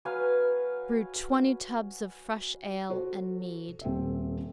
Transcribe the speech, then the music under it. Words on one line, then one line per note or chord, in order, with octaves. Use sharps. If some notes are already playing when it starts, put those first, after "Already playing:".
Brew twenty tubs of fresh ale and mead.
F#3 B4 F5 G#5
F#4 A4 C5
D#1 C4 A4 E5